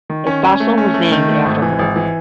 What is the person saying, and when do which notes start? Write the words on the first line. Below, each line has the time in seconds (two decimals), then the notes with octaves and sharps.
A fossil was named after her.
0.10 D#3
0.27 C#4
0.44 C#4
0.60 A3
0.78 C#4
0.94 A3
1.11 D#3
1.28 A3
1.46 G#1
1.62 E3
1.79 G#1
1.96 E3